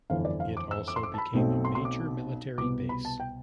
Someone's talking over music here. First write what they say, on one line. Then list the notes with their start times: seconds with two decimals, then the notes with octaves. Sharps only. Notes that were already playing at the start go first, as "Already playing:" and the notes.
It also became a major military base.
0.10 G1 F2 E3 F5
0.25 D5
0.40 F5
0.57 D6
0.71 E6
0.88 D6
0.96 C6
1.03 D6
1.14 A5
1.18 B5
1.34 B1 B2 A3 C4
1.65 C6
1.75 C6
1.85 D6
2.58 C2 B2 B3 D6
2.89 B5
3.05 A5
3.20 G5